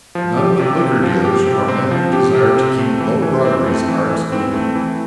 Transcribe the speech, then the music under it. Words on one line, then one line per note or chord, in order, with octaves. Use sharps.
None but liquor dealers or men who desire to keep low groggeries are excluded.
F3
G4
C3
C4
F3
G4
C3
C4
F3
G4
C3
C4
A3
E3
E3
C4
A3
E3
E3
C4
A3
E3